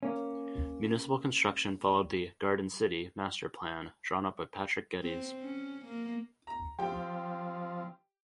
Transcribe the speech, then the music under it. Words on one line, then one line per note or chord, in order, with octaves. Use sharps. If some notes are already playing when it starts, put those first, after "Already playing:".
Municipal construction followed the "garden city" master plan drawn up by Patrick Geddes.
A#3 C#4
C4
C#4
A#3
A#5
F3 C4 G4 G5